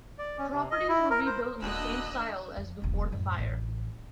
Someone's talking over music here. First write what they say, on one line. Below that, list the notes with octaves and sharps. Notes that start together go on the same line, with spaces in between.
Properties were rebuilt in the same style as before the fire.
D5
C#4
C3
D#5
E4
A#4
C5
D#1 D2 A#3 D4 D#5 E6 F#6
F2
E1 B1
F#2 A2
A1